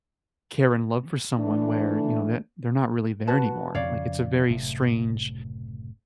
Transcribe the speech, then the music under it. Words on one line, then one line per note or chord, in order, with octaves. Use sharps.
care and love for someone where, you know, that they're not really there anymore? Like, it's a very strange
E3 A3 D4
F#4 B4 A5
F2 C#3 C#5 D5 F5
F#1 A2 C3